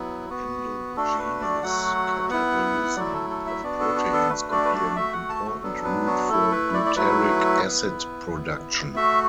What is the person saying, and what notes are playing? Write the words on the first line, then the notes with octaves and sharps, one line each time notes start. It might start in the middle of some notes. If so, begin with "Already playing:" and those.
Endogenous catabolism of proteins could be an important route for glutaric acid production.
Already playing: F#3 B3 E4
B3 F#4
A3 D4 F#4 A4
B4
D5
F#3 A3 F#4 F#5
B3 E4 F#5
F#3 A3 E4 D5
A4
A4
E5
B3 D4 F#4 D5
A4
F#4
A4
A3 D4 F#4 B4
D5
B4
D5
A3 F#4 E5
F#5
A5
F#4
F#3 B3 D4 A4
B4
F#4
A3 E4 A4
B4
D5
D5
F#3 A3 E4 B4
B3 E4
B3 E4
A3 F#4 E5